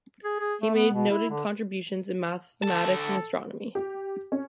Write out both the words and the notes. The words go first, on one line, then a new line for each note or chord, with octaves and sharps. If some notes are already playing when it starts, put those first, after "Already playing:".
He made noted contributions in mathematics and astronomy.
G#4
G#4
A3
B3
B2
E4
D3
D2 A4 A5
G4
C#4